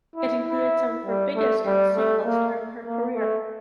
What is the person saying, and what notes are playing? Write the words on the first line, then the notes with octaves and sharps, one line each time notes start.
It included some of her biggest hit singles during her career.
E4
E4
G3
A3
G3
A3
A#3
A#3
A3